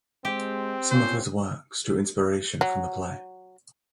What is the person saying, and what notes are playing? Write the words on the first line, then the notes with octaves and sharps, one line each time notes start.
Some of his works drew inspiration from the play.
G#3 C4 G4
A#2 C#4 F4 C5
F#3